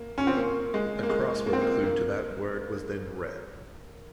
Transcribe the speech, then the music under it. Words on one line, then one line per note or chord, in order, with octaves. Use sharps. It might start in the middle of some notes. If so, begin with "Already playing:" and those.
A crossword clue to that word was then read.
Already playing: A#3
C#4
C4
A#3
G#3
A#3
G#3
A#3
C4
A#3
A#3